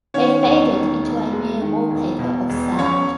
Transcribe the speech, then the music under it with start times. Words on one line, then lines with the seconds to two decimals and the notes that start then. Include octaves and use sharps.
They faded into a mere wallpaper of sound.
0.14 D#3 C#4 C#5
0.43 E1
0.73 D#3
1.03 E1
1.32 G#3
1.61 D#3
1.91 E1
2.19 B2
2.49 E1
2.78 E1 C#4 C#5